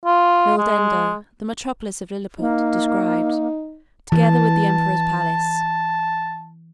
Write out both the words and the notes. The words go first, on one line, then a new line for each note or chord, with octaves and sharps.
Mildendo, the metropolis of Lilliput, described, together with the emperor's palace.
F4
G#3
A#3 D#4
E3 A5